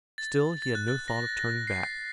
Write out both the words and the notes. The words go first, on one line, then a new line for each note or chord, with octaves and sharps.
Still he had no thought of turning back.
A6
A6
F#6
A6
A#6
A#6
C7